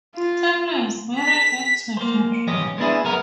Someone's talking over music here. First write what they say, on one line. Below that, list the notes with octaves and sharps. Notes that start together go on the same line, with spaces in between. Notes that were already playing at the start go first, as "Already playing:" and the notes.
Temple is married with two children.
F4
B6
A#3 C5
B1 G#2 C#4 G4 D#5
G#3 B3 D4 E4 G#4
C2 F#2 C#3 G#3 B3 A#4